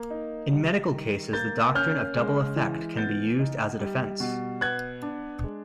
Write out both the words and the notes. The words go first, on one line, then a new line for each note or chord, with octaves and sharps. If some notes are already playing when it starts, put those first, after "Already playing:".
In medical cases the doctrine of double effect can be used as a defence.
Already playing: A#3
D#4
G3
D#3
A#3 G6 A6
C#4 F6 G6
G#3
E3
B3 G6 A6
D#4
G3
B2
B3 F#6 G#6
D4
G#3